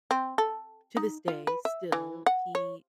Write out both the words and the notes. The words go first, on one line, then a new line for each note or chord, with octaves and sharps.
to this day, still, he
C4
A4
D#4
F4
B4
E5
E3
F#5
C#5